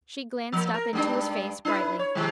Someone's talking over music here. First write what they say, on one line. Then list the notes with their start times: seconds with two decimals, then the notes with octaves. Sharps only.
She glanced up into his face, brightly.
0.52 F3 A#3
0.74 A#4
0.93 G2 G#3 D4
1.65 D4 E4 B4
1.99 C#5
2.15 C3 D#3 G#3